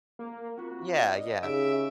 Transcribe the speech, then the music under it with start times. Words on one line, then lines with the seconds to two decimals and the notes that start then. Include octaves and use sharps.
Yeah, yeah.
0.19 A#3
0.58 C4 F4 F#4
0.94 B4 D5 D#5
1.43 C#3 D#4 G4 G#4 E5 D7